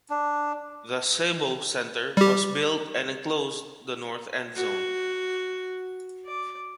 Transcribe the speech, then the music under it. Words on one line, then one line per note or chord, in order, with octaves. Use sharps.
The Sebo Center was built and enclosed the north endzone.
D4
G3 G4
F#4
D5